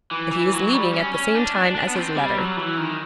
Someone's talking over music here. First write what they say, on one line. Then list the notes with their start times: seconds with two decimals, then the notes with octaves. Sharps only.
"That he was leaving at the same time as his letter."
0.11 E3
0.32 E3
0.52 F#3
0.73 G3
0.93 C#4
1.14 C#4
1.35 D4
1.55 D4
1.75 D4
1.87 B3
1.95 C4
2.16 G3
2.37 F#3
2.57 E3
2.78 D#3